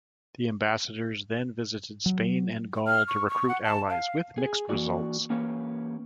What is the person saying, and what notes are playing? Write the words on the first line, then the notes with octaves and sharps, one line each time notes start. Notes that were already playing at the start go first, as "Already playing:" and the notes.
The ambassadors then visited Spain and Gaul to recruit allies, with mixed results.
F#3
F6
C#6
C#6
F#5
A5
F5
G#4
E3 A#3 F#4 D5
E3 A#3 C#4 G4 B4 C#5